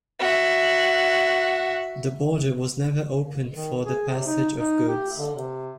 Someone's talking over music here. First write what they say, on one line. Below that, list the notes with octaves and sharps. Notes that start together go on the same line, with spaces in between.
The border was never opened for the passage of goods.
F#4 E5
D#3
G#4
C3
D#4
D#4
G4
D3
C3